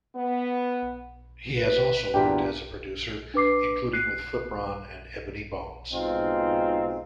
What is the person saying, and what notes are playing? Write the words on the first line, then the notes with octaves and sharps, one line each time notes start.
He has also worked as a producer, including with Flipron and Ebony Bones.
B3
B4
E2 A#2 D4 G4 G5
D4 B4 D6 C7
F#6 C7
G#2 B2 C4 D#4 F4